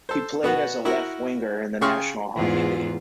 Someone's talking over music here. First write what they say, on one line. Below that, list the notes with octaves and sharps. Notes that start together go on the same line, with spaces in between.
He played as a left winger in the National Hockey League.
A4 C5
B2 B3 F#4 F#5
E4 F#4 A#4 F#5
C#3 G#4 G5 C6 C#6 F6
E2 G#2 F4